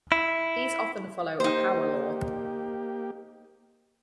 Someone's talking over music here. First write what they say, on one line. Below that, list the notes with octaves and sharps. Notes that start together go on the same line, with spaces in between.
These often follow a power law.
E4
A#3 D#4 G4 C5